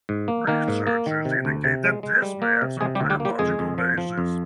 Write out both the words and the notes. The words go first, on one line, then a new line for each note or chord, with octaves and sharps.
Research indicates that this may have some biological basis.
G#2
A#3
D#3 A#3 A#4
G#2
A#3
D#3
C3
D2
C3
G#3
G#3
G3
A#3
C3
C3 G#3 G#4
G3 G4
D2
G3 G4
A#3
G3 G4
F2 G#3 G#4
F2
F3
F3
F2